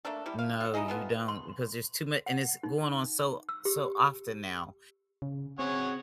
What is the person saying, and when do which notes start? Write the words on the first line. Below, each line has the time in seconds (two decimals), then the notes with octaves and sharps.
No, you don't because there's too mu and it's going on so so often now,
0.05 A3 A#3 D4 A4
0.26 G3 E4 G4
0.39 F5
0.60 F4 F#5
0.74 D#4 E4 G#4 D#5
0.88 B3 F4 A4
1.28 C6
2.26 F#5
2.63 D#4
3.49 E6
3.65 G4
5.22 C#3
5.59 C4 G#4 C#5 F#5